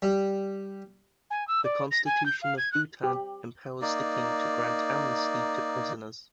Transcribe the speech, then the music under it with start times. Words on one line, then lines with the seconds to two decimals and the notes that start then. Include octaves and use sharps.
The Constitution of Bhutan empowers the King to grant amnesty to prisoners.
0.02 G3
1.30 G#5
1.47 E6
1.64 D5
1.91 A#6
2.05 G#5
2.26 G6
2.42 F5
2.58 G#6
2.72 F#6
3.03 G4
3.81 A#3 D#4 D5